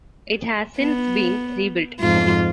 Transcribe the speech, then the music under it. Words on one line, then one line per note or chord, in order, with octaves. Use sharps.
It has since been rebuilt.
B3
F2 G#2 F4